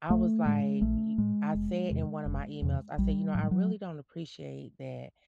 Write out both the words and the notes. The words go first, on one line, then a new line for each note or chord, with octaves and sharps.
I was like, y y I said in one of my emails, I said, "You know, I really don't appreciate that
A#1 A3
A2 G#3
A#1 A3
A2 G#3
F1
E2 C3
F1
E2 C3
A#1 G3
A2 F#3
G3
F#3